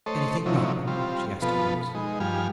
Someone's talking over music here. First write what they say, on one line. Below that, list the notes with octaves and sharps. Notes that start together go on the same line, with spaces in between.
"Anything wrong?" she asked at once.
A3 A4 C5 C#5 D#5
C3 F3 F#3 C#4 D#4 E4
G3 C4 F4
B2 F3 B3 F4 A4 B4
G#3 D#4
G2 F3 G3 G#5 F6